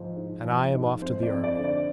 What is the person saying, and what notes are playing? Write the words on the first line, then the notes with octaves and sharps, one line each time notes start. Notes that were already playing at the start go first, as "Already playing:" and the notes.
And I am off to the army.
Already playing: G#2 F3 C5
G#2
F3
G#2
F2 C5
D5
F2
D5
D3
D5